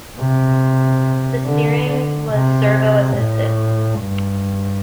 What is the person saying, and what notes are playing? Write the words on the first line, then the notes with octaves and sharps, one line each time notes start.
The steering was servo-assisted.
C3
D3
D3
C3
A2
G2